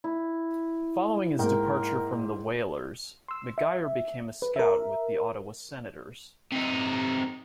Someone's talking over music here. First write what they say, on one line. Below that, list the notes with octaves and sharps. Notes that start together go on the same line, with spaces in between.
Following his departure from the Whalers, McGuire became a scout with the Ottawa Senators.
E4
G#2 A#3 A#4 G5
C6 E6
E5
B4
A#4 E5
C3 D#4